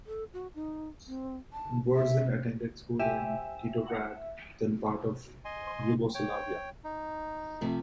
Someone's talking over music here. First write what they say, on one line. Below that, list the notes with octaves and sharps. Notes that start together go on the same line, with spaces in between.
Burzan attended school in Titograd, then part of Yugoslavia.
A4
F#4
D#4
C4
A5
E5
G4 C5 E5 G#5
D#5 G#5 C6
C#5 G5
D#4
C3 F3 A3